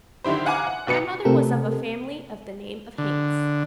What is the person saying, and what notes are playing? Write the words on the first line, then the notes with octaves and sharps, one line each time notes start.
My mother was of a family of the name of Hanks.
D3 D#3 E4 G4 C5
F5 F#5 G#5 A#5 D6
F#5
D#2 B2 B4 C#7
C3 A3 C4 G4 A4 A#4
D3